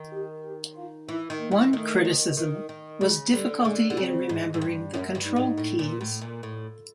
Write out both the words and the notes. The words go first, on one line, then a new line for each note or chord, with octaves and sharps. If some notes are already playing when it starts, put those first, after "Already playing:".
One criticism was difficulty in remembering the control keys.
Already playing: D#3
G4
G4
F4
E3 E4
D#3
A#3
E3
D#3 A3
D#3
D#3
D#3
C#3 G#3
D3 G3
D3 G#3
D3
C#3 C4
G#2
G#2
G2
F#2 C#4
G2
D#4
G#2
A2
A#2
A2
A#2
A2